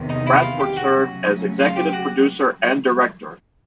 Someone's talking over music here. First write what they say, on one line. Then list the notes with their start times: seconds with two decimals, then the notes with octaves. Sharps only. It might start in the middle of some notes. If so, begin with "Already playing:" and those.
Bradford served as executive producer and director.
Already playing: E2 C3 D#3
0.09 D#4
0.27 E4
0.42 F4
0.60 G4
0.77 F#4
0.93 C#3 F#3 A3 C#4
1.59 F4
1.76 G4
1.93 F#4